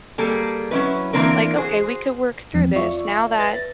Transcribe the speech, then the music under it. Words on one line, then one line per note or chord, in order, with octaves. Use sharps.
Like, "Okay, we could work through this now that
G3 A#3 G#4 A4
F#3 C#4 E4 B4
E3 F#3 A#3 C4 D4 A#4
F#4 G#4 C5
E2 F3 C4
F4 D5 E5 C#6
B4 E5 A6 A#6